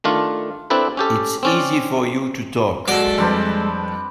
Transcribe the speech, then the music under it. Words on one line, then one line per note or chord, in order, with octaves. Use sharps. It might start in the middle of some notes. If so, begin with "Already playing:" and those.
It's easy for you to talk.
D#3 A3 D4 F4
C4 D4 E4 A4 B4
C#4 G4 A4
C4 C#4 D5
G#3 F#4 A4 D5
F2 G3 C4 D4 B4